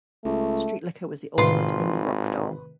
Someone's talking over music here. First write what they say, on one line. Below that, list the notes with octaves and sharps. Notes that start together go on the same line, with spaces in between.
Street Licca was the ultimate "indie rock" doll.
C#2 A3
G#1 A2 C3 D#3 F4 B4 C6